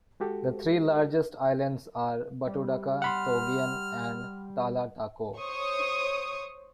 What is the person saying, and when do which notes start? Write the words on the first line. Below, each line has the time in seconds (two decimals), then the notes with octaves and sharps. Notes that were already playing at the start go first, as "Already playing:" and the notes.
The three largest islands are Batudaka, Togian, and Talatakoh.
0.20 G#3 F#4 G4 A4
2.47 G3
3.02 F#5 B5 C6 F6
5.37 C5 C#5 C#6 D#6